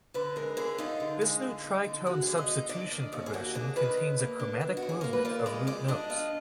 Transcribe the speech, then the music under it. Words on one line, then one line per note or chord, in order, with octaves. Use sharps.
This new tritone substitution progression contains a chromatic movement of root notes.
D3 B4
G#3 A#4
D3 G#4
D#4 F4
D3
G#3
D3
D#4
D3
G#3 F#4
D3 G#4
D#5
D#4
D4 D5
D#3
D#2
G#4
A#3 F#4
D4 G#4
D#3 B4
D#2
A#3
D4
D#3
F#4
D#2
G#4
A#3 A#4
B4
F4 D5
G#3 D5
A#2 D5
D4 D#5
F4 D#5